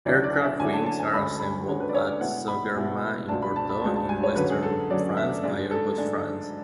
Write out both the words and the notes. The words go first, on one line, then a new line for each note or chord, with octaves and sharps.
Aircraft wings are assembled at Sogerma in Bordeaux in western France by Airbus France.
D2 D3 F#3 C#4 E4 D5
D5
E5
D2 D3 F#3 C#4 E4 G#5
A5
A5
G#5
D2 D3 G#3 C#4 B5
B5
D2 D3 G#3 C#4
B4
D5
C#5
D5
B2 G#3 B3 E4 F#5
B5
B2 G#3 B3 E4
C#2 B2 G#3 D4 A5
B5
A5
B5
C#2 B2 G#3 D4 A5
A5
G#5
C#5
F#2 D3 F#3 C#4 B4
G#4
A4
F#2 D3 F#3 C#4 D5
E5
G#2 G#3 D4
A4
G#2 G#3 D4